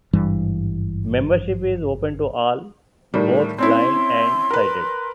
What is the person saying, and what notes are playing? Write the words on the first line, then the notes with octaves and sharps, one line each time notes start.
Membership is open to all, both blind and sighted.
G#1 G2 E3 G3
A2 D#3 G3
C4 C#4 E4 C6
A#4 B4